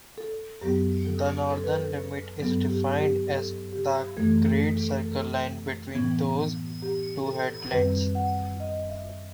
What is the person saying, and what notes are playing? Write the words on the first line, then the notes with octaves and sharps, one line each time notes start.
The northern limit is defined as the great circle line between those two headlands.
A4
F#2 F#3 B3 G4
A4
A4
B4
A4
G2 F#3 B3 A4
G4
G4
A4
G4
F#2 E3 A3 A4
A4
A4
A4
A2 E3 B3
G4
A4
F#2 D#3 G3 C4 B4
F#5
D#5
E5